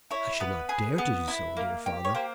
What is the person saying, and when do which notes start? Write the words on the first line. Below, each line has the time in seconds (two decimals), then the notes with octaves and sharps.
"I should not dare to do so, dear father."
0.11 E4 C#5
0.40 B3 B4
0.69 G#4
0.98 B3
1.28 E4
1.57 A#3
1.86 G4
2.05 C#5
2.14 A#3 C5